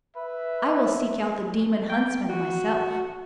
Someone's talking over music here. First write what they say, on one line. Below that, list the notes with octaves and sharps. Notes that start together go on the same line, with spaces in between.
"I will seek out the demon huntsman myself."
B4 E5
G5
F#4